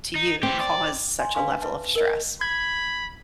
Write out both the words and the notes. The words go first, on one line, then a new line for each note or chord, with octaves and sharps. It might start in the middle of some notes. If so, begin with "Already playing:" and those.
to you to cause such a level of stress.
D#4
E3 C4 G4
D5
G#5 C6
D4 B4 F5 G#5 C6 C#6
B4 E5 A5
A#4 D#5
B5 G#6